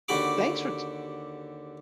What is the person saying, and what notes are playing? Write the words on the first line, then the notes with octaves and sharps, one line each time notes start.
thanks for t
D#2 D3 F#4 G4 B5 D6